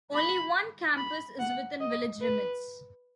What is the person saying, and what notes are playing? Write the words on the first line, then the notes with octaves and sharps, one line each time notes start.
Only one campus is within village limits.
B5
B5
F#5
D#5
B4